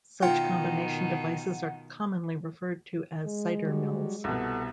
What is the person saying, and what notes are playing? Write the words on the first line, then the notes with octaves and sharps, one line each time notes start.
Such combination devices are commonly referred to as cider mills.
B2 D#3 F4 F#5 G5
G#3
F#3 G3
C2 B2 A4 F#5